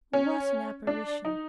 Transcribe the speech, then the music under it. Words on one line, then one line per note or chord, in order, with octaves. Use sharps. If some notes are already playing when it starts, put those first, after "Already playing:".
What an apparition!
C#4
D4
D#4